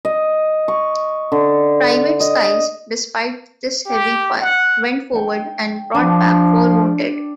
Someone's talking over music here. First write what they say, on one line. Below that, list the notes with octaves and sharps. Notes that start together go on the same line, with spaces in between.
Private Sykes, despite this heavy fire, went forward and brought back four wounded.
D#5
C#6
D3
D#5
G4
F#5
G5 C#6
F3 D4